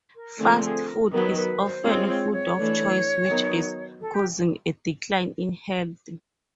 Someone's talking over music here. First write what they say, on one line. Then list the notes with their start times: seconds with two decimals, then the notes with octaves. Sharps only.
Fast food is often food of choice, which is causing a decline in health.
0.16 A#4
0.39 D3 F3 A3 C4 G#4
0.64 G#4
0.88 A#4
1.12 D#3 F#3 B3 B4
1.36 B4
1.60 C5
1.84 G#3 C4 F4 C#5
2.09 C#5
2.33 C#5
2.57 E3 A3 D4
3.29 D#3 F#3 B3 D#4
4.01 A4
4.14 G4